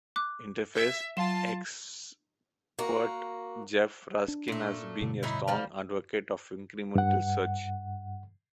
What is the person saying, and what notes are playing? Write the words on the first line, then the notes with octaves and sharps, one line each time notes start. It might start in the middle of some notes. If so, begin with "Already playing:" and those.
Interface expert Jef Raskin has been a strong advocate of incremental search.
D6 F#6
E5
F#3 F4 F5 A5 C6 E7
A#3 F#4
D4
A#2 A3
G2 B2 D3
A2 D#4 E4
F3 G3 A#3
G2 F#5